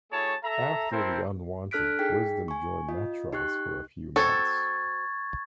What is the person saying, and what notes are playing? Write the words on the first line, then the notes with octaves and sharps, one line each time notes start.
After the Unwanted, Wisdom joined Metroz for a few months.
A3 E4 F#4 G#4 C#5 A5
A4 E5 A#5
C4 E4 A4 A#4 C5
D4 A4 F6 F#6 B6 D7
D#4 G#4 G5 B6
G#5 C#6
F4 D#5
D#4 G4 C#6 F#6
C4 F#4 A4 C#6 G#6 A6